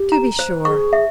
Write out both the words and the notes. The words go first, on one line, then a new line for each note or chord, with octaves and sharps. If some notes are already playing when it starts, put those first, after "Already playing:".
To be sure!
Already playing: G4
A#5
C5
G#4 C#6
E5